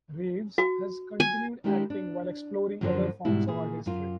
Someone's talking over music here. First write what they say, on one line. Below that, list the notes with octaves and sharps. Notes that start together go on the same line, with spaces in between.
Reeves has continued acting while exploring other forms of artistry.
F#4
G#5
D#3 G#3 D4 E4 G4
D4
F#2 D3 F3 F#4 A#4 C5
G#2 B2 G3 E4
A#2 E3 G#4
F#2 F4